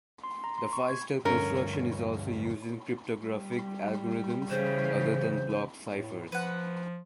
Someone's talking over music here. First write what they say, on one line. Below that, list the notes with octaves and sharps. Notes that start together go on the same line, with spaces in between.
The Feistel construction is also used in cryptographic algorithms other than block ciphers.
C6
A#5
C6
C#6
G#6
D2 G2 C#4 A#4
G3
C#3 E3 C5
A2
F3 B4 F#5